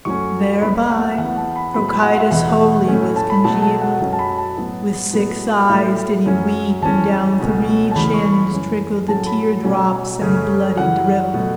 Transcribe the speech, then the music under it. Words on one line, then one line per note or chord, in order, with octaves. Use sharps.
Thereby Cocytus wholly was congealed. With six eyes did he weep, and down three chins Trickled the tear-drops and the bloody drivel.
F#2 F#3 A3 C#4 C#6
C#2 C#3 F#3 B3 B5
B5
F#5
E5
E2 E3 B3 F#5
A5
B5
A2 F#3 B3 B5
B5
F#5
E5
E2 B2 B3 F#5
A2 A3 C#4
A5
B5
B2 F#3 A3 A5
A5
F#5
F#2 F#3 C#4
A5
B5
A5
A2 F#3 B3
A2 F#3 B3
A2 F#3 A3 E5
F#2 F#3 C#4
E2 E3 C#4 A5
C#2 B2 F#3 A3 C#4
A5
E2 C#3 E3 B5
C#6
B5
F#2 E3 C#4
A2 F#3 A3 C#4 A5
B5
B2 F#3 C#4
F#2 C#3 A3 C#4
F#2 C#3 E3 F#5
B2 F#3 A3